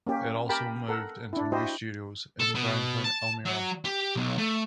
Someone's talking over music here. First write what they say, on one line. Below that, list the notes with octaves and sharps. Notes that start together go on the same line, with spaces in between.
It also moved into new studios in Downtown Elmira.
A#3 C#4 G4
G4 A#4 G5 A5 B5
A4 A#4 F#5
D4 E4
E4 F#4 G4 C5 D#5
A4
B2
A5
F#3
G4
B1
A3